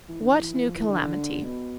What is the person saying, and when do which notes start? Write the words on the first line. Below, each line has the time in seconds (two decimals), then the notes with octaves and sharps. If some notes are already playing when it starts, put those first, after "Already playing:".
"What new calamity?"
0.09 E3
0.19 D3
0.31 E3
0.43 E3
0.54 E3
0.65 F3
0.76 E3
0.87 D3
1.44 B2